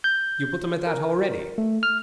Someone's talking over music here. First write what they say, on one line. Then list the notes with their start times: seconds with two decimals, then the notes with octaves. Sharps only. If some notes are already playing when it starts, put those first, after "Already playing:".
You put them at that already?...
0.04 G6
0.87 A#4
1.58 A3
1.83 F6